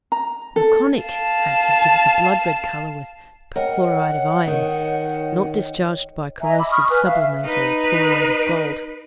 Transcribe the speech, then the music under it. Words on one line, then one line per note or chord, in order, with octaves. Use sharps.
Meconic acid gives a blood-red colour with perchloride of iron, not discharged by corrosive sublimate or chloride of gold.
A#5
A4
F5 A5
A#4 C#5 D#5 F#5 G5
D#3
D#5 E5 G#5 A#5
B5 D6 E6
B5 C#6 D#6 F6
B4 G#5 F6 F#6
E5 F5
D#4 B4